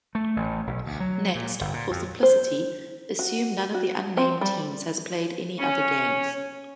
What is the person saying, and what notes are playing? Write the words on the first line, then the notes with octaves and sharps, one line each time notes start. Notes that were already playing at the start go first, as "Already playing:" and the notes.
Next, for simplicity, assume none of the unnamed teams has played any other games.
A3
A1
B1
D2
F#3
A#2
G1
A#2
F2
C5
F#4
F#4
C4
G3
C#4